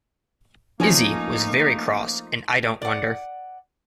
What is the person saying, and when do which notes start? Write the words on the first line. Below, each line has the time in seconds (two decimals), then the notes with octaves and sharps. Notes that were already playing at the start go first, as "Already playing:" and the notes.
Izzie was very cross and I don’t wonder.
0.80 F3 A3 A#3 C#4 D#4 G#5 A#6
2.82 D5 F#5